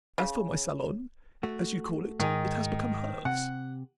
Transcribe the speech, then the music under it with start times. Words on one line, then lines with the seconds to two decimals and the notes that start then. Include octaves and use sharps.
As for my salon, as you call it, it has become hers.
0.18 C#3
1.43 A3 F#4
2.20 G#2 D#3 D#4 G#4
3.25 C3 F#5